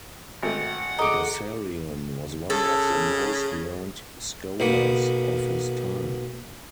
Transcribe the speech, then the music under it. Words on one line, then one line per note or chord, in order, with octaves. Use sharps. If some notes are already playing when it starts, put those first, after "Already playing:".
Bessarion was one of the most learned scholars of his time.
G#1 A3 F#5
G#4 A4 D#5 A#5 D6
C#3 A4
B1 A#3 B3